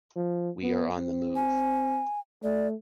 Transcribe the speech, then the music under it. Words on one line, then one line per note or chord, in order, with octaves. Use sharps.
We are on the move.
F3
B3
C4
G#5
A3 D5